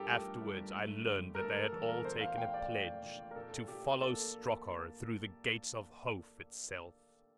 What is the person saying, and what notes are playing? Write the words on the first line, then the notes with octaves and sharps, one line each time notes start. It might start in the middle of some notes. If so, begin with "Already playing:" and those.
Afterward I learned that they had all taken a pledge to "follow Strokor through the gates of Hofe itself!"
Already playing: G2 F3 G4 A4 A#4
A3
G2
A3
D3
A#4
A3 A4
E2 A4
A#4
A#2 C5
F5
A3 G5
D5
A3
A#2
A#4
A#2 A4
A#2 G4
A#3 A4